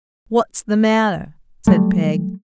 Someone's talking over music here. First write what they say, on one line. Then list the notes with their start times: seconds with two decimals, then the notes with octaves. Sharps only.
'What's the matter?' said Peg.
1.67 F#3 G3 A3